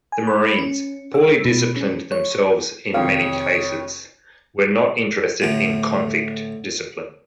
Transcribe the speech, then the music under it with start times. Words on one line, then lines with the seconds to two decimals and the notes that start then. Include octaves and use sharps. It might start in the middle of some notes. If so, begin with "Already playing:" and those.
The marines, poorly disciplined themselves in many cases, were not interested in convict discipline.
0.12 G#5
0.27 B5
0.58 C#4
1.14 E6
1.45 B2
1.77 C#4
2.12 C#5
2.94 F2 C3 D#3 C#5 F5
5.42 A2 D3